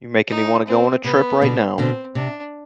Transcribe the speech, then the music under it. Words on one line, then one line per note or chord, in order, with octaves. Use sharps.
You're making me wanna go on a trip right now.
D#4
C4
C3 B3
B2 D3
B2 D3 C4
C3 D4